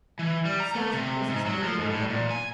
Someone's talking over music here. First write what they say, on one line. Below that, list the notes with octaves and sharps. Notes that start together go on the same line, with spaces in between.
Such was his only reply.
E3
G3
A#5
A3
C3
G#2
F#3
F3
G#2
A2
A#2
G#5